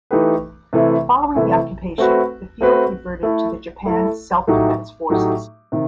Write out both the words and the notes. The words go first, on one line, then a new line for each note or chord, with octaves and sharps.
Following the occupation, the field reverted to the Japan Self-Defense Forces.
E3 A3 D#4 G4 B4
C3 E3 A3 E4
C3 E3 A3 E4
A3 C4 F#4 B4
A3 C4 F#4 B4
A3 E4 A4
A3 E4 A4
A2 F#3 A3 D#4 G4
A2 F#3 A3 D#4 G4
C3 D#3